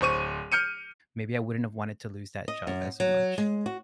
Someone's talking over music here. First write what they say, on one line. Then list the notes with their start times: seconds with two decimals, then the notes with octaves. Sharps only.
maybe I wouldn't have wanted to lose that job as much.
0.01 D1 C5 C#6 D#7
0.52 F6 G6 C#7 D#7
2.48 D#5
2.67 F#2
3.00 F#3
3.38 G#3
3.66 F#4